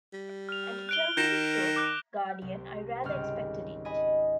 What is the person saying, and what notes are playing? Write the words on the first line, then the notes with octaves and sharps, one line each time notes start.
And to tell you the truth, guardian, I rather expected it.
G3
F6 F7
F#6 D7 G7
D#3 G6 A#6 E7
D6 F#6
C2
G#1 C#2 G3 C4 C#4 F6
D#5 G#5 B5